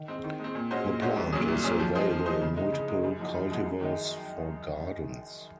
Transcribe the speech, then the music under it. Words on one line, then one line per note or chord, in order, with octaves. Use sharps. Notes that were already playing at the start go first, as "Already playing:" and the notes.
The plant is available in multiple cultivars for gardens.
Already playing: D#3
G#3 C4
D#3
G#3 C4
A#2
G#3 C#4 F#4 C5
A#2
G#3 C#4 F#4 C5
C2
A#2 F#3 C#4 G#4
C2
A#2 F#3 C#4 G#4
F3
G#3 D#4 G#4 C5
F3
G#3 D#4 G#4 C5
C#3
G#3 D#4
C#3
G#3 D#4
F#2
F3 G#3 D#4 F#4
F#2
F3 G#3 D#4 F#4
F#2
D#3 G#3 D#4